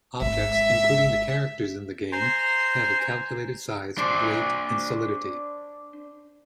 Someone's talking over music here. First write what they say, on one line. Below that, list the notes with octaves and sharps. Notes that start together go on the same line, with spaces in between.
Objects, including the characters in the game, have a calculated size, weight and solidity.
G#1 E5
C5 G#5 A#5 C6
D4 C5